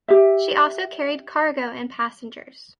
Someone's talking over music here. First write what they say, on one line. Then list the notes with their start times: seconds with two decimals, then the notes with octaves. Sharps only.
She also carried cargo and passengers.
0.08 G4 E5